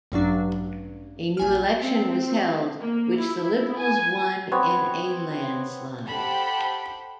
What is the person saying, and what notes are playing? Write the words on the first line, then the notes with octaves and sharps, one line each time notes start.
A new election was held, which the Liberals won in a landslide.
A1 G2 F#3 D4
A#1 G#5 F6
C4
A#3
E4
G#5
B3 C4 C#5
G4 A4 C5 F#5 G5 B5